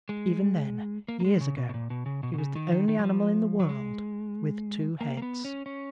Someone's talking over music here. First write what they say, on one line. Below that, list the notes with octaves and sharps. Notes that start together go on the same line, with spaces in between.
Even then, years ago, he was the only animal in the world with two heads.
G#3
A#3
A#3
G#3
C#3
B2
B2
A#2
B2
C#3
B2
B2
C#3
D#3
D#3
D#3
F#3
F3
F#3
G#3
A#3
A#3
B3
C#4
C#4